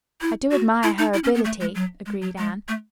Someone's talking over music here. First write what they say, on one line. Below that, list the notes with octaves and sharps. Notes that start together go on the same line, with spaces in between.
"I do admire her ability," agreed Anne.
E4
F#4
E4
D#4
E4
C#4
B3
A3
G#3
F#3
G#3
F#3
G#3
A3